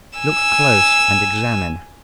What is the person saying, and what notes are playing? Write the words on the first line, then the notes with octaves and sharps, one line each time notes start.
"Look close, and examine."
G#5 E6